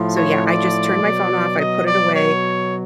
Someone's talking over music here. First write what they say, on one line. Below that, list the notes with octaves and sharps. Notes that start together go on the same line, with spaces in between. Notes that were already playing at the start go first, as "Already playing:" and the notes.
So, yeah, I just turn my phone off, I put it away,
Already playing: A2 F3
C#5
D5
B2 F#3
D#5
D5
C#5